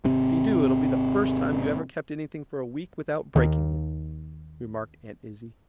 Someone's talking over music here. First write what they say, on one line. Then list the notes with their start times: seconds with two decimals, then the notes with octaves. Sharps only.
"If you do, it'll be the first time you ever kept anything for a week without breaking it," remarked Aunt Izzie.
0.04 G#1 C3 C4
3.36 D#2 D#3